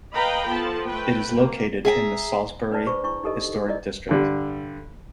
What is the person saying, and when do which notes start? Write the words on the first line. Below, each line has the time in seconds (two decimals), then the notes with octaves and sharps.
It is located in the Salisbury Historic District.
0.14 B4 D#5 F5 G5 A#5 B5
0.49 F3 B3 A4 A5
0.86 A3 B4 G5
1.34 A#3
1.85 G#4 E5 G5 A#5
2.71 D4 B4 D5 A5
2.87 G#4 C5 B5 C#6
3.03 D4 E4 C#6
3.24 D#4 G4 A4 A#4 D#5
3.54 G#4
3.66 D#4 E4 A#4 D5 D#5
4.09 G2 D3 G3